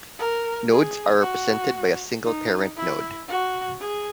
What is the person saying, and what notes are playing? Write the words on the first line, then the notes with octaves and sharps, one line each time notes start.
Nodes are represented by a single parent node.
A#4
G#4
F#4
D#4
E4
F#4
G#4